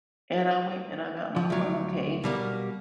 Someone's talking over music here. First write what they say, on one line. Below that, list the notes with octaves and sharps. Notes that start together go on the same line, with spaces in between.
And I went and I got my funnel cake
F3
D2 F#3
B2 G3 A#3